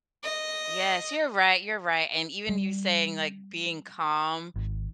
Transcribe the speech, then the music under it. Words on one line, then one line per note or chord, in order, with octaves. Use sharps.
Yes, you're right, you're right. And even you saying, like, being calm
D#5
G3
G#1